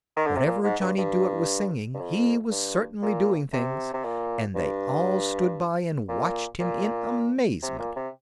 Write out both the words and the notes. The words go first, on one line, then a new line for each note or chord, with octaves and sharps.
Whatever Johnny Dooit was singing he was certainly doing things, and they all stood by and watched him in amazement.
D#3
D3
C3
A#2
G#2
G2
G2
G2
F2
G2
A#2
C3
C3
A#2
G2
A#2
A#2
C3
A#2
C3